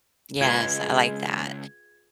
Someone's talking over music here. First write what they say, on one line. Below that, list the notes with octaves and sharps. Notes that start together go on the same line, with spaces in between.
Yes, I like that.
C#2 G#3 F4 G#4 B4 G#6